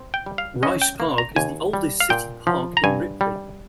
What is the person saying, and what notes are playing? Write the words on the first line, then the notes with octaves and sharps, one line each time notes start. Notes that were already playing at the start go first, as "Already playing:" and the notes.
Rice Park is the oldest city park in Ripley.
Already playing: C4
G5
G3
F5
C#4 D#5
G5
A#3
A#5
D#2 G#5
G3
F5
A#2 G5
F3
A#5
G2 G#5
G3